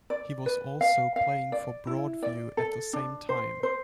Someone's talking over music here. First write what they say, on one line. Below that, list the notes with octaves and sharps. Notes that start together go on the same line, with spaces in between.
He was also playing for Broadview at the same time.
D5
B4
F5
F5
D5
E4
D5
A4
D4
C5
C5